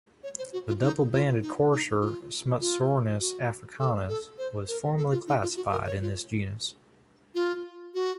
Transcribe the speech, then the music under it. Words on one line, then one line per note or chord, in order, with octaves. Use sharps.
The Double-banded courser, "Smutsornis africanus", was formerly classified in this genus.
C#5
C5
F#4
F4
D#4
F4
D#4
D#4
F4
F4
F#4
A4
A4
C5
A#4
A4
F4
D#4
F4
F#4
A#4
C#5
F4
F4
F#4